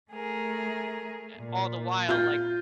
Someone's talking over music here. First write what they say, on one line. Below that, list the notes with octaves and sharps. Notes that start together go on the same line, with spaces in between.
eh, all the while, like
A3 G#4 A#4
A#2
F4 G6